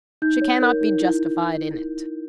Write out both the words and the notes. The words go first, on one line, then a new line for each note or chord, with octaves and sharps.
She cannot be justified in it.
D#4 G6
C#5
A#4
D#4
E4